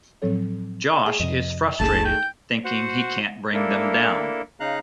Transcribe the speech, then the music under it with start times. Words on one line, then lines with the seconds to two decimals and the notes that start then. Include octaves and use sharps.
Josh is frustrated, thinking he can't bring them down.
0.22 A2 F3 F#3 C4 A4 C#5
1.06 G#4
1.20 F2 C3 D#5
1.80 F#1 C#2 A3 D#4 G#4 A5
2.05 G5
2.65 F#4 C5 F#5
3.54 A#3 D4 E4 A4 A#4
4.60 C#3 D#4 F5 A#5 F#6